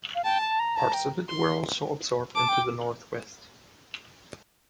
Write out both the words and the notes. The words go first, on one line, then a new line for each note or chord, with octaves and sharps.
Parts of it were also absorbed into the North West.
F5
G5 A5
A5
A#5
A5 A#5
G5
C6
A5 D6
G5